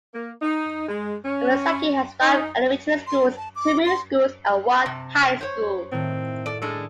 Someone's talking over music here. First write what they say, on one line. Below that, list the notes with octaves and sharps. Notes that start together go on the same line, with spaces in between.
Omaezaki has five elementary schools, two middle schools and one high school.
A#3
D#4
G#3
C#4
D#4
C6
A5
D6
C6
C3 A5
C5 C#5
A2 D#3 A3 C4
A4 D5
F#2 G#3 D4 A4 D5